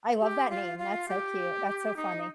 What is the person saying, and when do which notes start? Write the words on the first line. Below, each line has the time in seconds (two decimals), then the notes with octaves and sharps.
I love that name, that's so cute, that's so funny.
0.21 G4
0.50 F4
0.79 F4
1.08 G4
1.97 D#4